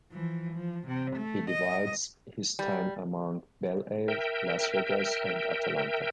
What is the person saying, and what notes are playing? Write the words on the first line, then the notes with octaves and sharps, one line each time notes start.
He divides his time among Bel Air, Las Vegas and Atlanta.
E3 F3
F3
C3
A3
D#5
G3
A#4 E5 G5